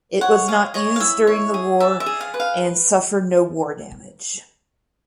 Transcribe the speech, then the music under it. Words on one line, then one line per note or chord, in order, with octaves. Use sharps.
It was not used during the war and suffered no war damage.
C#5 F#5
G#4 F5
C#5 D#5
F5
E4 E5
C#5
G#4
D5 E5
E5
G#4
F5
B4
F5